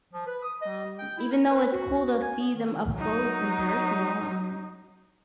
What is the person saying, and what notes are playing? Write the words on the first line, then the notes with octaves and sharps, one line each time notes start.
um, even though it's cool to see them up close and personal, um,
F3
B4
D#6
D#5
G5
E4
A#4
B4
F#4
G#5
B3
D#3
F#3 D#4